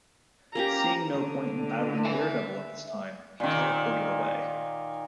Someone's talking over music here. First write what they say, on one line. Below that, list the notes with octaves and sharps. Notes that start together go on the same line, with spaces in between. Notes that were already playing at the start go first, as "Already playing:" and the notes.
Seeing no point in battling Daredevil at this time, he teleported away.
A#3 C#4 G4 A#5
D3
E5 G#5
A#2 D#3